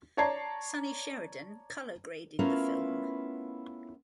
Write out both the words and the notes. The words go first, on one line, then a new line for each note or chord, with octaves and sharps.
Sonny Sheridan colour graded the film.
C#5 D5 A5 A#5 G#6 C7
A3 B3 C#4 E4 F4 A#4